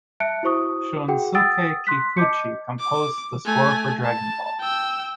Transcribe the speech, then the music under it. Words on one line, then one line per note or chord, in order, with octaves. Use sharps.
Shunsuke Kikuchi composed the score for "Dragon Ball".
E5 A5 F#6 C#7 D7
E4 F#4 C5 C#6 D#6
F#4 G#4 F#5 G5
F#5 G5 D#6 E6 A6 D7
C6 F#6 B6
D#5 A5 D6 G6 C#7
D6
A3 G#5
A5
G5 E6